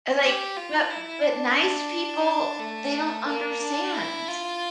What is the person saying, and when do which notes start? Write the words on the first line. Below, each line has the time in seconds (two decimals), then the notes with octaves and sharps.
Like, but but nice people, they don't understand.
0.23 G4
0.57 F4
0.90 E4
1.24 D4
1.58 D4
2.59 A3
3.27 A#3
3.60 D4
3.94 E4
4.28 F4